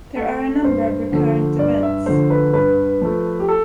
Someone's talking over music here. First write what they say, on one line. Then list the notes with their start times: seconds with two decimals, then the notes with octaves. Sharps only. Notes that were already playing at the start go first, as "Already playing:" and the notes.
There are a number of recurrent events.
0.16 A3
0.64 G2 C5
1.12 D3 F3 A3
1.59 G2 D5
1.83 E5
2.06 D3 F3 A3 C5
2.30 B4
2.53 G2 B4
3.01 F3 A3
3.40 G4
3.48 A4